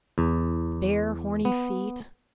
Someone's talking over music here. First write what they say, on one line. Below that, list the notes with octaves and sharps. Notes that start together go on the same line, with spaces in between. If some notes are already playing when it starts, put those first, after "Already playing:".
Bare, horny feet.
E2
B3